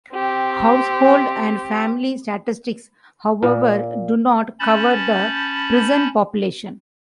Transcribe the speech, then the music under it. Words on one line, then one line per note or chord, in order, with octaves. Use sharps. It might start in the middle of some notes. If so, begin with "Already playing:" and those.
Household and family statistics, however, do not cover the prison population.
C4 G4
A#2
C#4 A5 B5 G6 A6